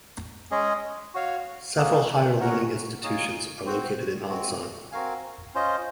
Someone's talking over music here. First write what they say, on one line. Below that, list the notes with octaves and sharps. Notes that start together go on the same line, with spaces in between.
Several higher learning institutions are located in Ansan.
G#3 C#4 G#4 D#5
F#4 C#5 F5
A#3 C#4 G#4
C#4 F#4 A#4 C#5 F#5
D#4 G#4 C#5 F5 G#5
C4 F#4 C5 F#5
G#3 C4 F#4
C4 F#4 A#4 F5 G#5
C#4 F4 C5 D#5